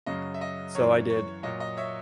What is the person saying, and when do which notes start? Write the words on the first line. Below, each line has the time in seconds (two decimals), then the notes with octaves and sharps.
So I did.
0.06 F#2 C#3 F#3 D#5
0.34 E5
0.41 D#5
0.75 F#2 E3 C#5
1.10 C#5
1.43 A#2 F#3 D#5
1.60 D#5
1.77 C#5 E5